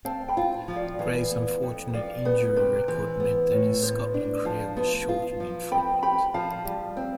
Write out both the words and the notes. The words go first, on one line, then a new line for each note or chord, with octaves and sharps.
Gray's unfortunate injury record meant that his Scotland career was short and infrequent.
C4 F5 A5
G5 B5
F4
F3
D5 F5
E3 D5 F5
B3
F2
F3 D5 F5
B3 B4
C3 B4
E3 C5
B3
A2
B3 C5
D4
F3 F5 A5
B3
F4
F3
C4 G5 B5
G4 G5 B5
F3 F5 A5
G3
C4